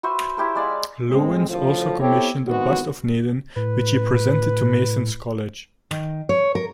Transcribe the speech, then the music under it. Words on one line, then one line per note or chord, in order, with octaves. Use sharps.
Lewins also commissioned a bust of Naden which he presented to Mason's College.
F#4 B4 C5 E5
E4 G4 A#4 C5
G#3 D5 F5
A2 G#3 C4
D2 A2 F3
B3 C4 E4 G4 A4 C#5
G#1 A2 C3 G#3 B3 F#4
A2 B4
D#3
C#5
A#4